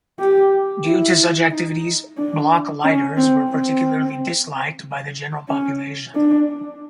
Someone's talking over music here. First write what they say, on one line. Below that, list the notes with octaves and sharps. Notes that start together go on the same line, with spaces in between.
Due to such activities, "Blockleiters" were particularly disliked by the general population.
G4
E4
D#4
D4
C#4
C4
C4
C#4
D4